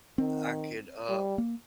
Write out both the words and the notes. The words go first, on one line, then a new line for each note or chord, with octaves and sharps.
I could, uh,
D#3 C4
G3
A#3